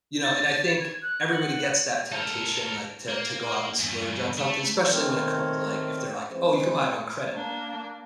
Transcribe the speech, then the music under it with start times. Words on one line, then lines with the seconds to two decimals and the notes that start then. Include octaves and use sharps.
You know, and I think everybody gets that temptation, like, to to go out and splurge on something, especially when it comes to, like if they're, like, "Oh, you can buy it on credit."
0.23 A6
0.80 G#6
1.02 F#6
1.29 F#5
2.12 A4 A#4
3.10 A#3
3.80 E2 G2
4.37 A3
4.91 D#3 A3 C4 A#4 C#5
6.31 E3 G#3 C4 G#4 B4 C5
7.31 A#3 D4